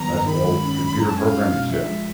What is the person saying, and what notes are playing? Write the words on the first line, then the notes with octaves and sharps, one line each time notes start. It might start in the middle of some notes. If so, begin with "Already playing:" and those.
That's the whole computer programming saying,
Already playing: D#3 G3 B3 A#5
G2
D#3 B5
G#3
C#4
F#2
G#3 A#5
A5
C#4 G#5
F5
F#4
B2
F3 E5
G#3